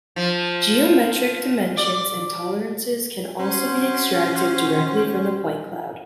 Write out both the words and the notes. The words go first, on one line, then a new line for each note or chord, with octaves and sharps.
Geometric dimensions and tolerances can also be extracted directly from the point cloud.
F3
D5
C#4 F#4 C5